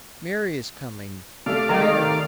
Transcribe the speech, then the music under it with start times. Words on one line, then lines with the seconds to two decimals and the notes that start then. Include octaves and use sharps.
Mary is coming! Mary!
1.46 C3 A3 D5 F5
1.69 D#3